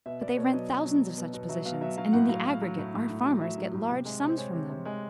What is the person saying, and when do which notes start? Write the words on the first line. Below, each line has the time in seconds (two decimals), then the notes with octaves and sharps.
"But they rent thousands of such positions, and in the aggregate our farmers get large sums from them."
0.06 B2 E5
0.21 B2 D5
0.37 B2 C#5
0.53 F#3 D#5
0.69 B2
0.85 F#3
1.01 F#3
1.17 B2
1.34 B2
1.49 F#3 E5
1.65 B2 F5
1.81 F#3 E5
1.97 F#3 F5
2.13 A2 F#5
2.29 F#3 F5
2.46 F#3 F5
2.61 F#3
2.78 A2
2.94 A2
3.09 A2
3.26 F#3
3.41 F#3 E5
3.58 F#3
3.74 A2
3.90 C3
4.05 G#3
4.21 C3
4.29 C5
4.37 G#3 C#5
4.53 C3
4.70 C3
4.85 G#3